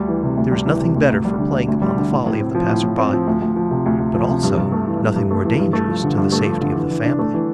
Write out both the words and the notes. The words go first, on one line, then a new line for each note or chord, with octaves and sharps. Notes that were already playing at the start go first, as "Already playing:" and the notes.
There is nothing better for playing upon the folly of the passer-by, but also nothing more dangerous to the safety of the family.
Already playing: D2 G3
E3
C3
D2
G3
E3
C3
D2
D2
G3
D3
D2
D2
G3
D3
A2
A2
C4
F3
A2
A2
C4
F3
D2
D2
F3
C3
D2
D2
F3
C3
G2
G2
A3
E3
G2
G2
A3
E3
G2
A3
F3
D3
G2
A3
F3
D3
E3
E3
D4
A3
E3